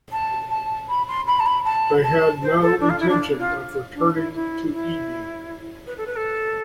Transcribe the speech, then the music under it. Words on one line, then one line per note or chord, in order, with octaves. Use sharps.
They had no intention of returning to Evie.
A5
A5
B5
C6
B5
A5
B5
A5
A5
C5
A4
D4
F4
E4
D4
F4
D4
E4
E4
E4
B4
A4
B4
A4